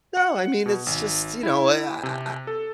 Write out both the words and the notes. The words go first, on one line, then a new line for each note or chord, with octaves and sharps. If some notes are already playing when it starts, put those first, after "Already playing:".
No. I mean, it's just you know, eh, I I
F#5
B2
G#1
E4
C3
A4